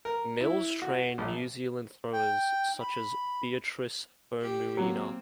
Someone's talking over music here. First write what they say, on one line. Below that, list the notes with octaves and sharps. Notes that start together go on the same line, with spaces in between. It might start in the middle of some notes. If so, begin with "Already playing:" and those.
Mills trained New Zealand throwers, such as Beatrice Faumuina.
A#4
E4
F#4
A#1
G5
B5
G4
F#3 A#3 C4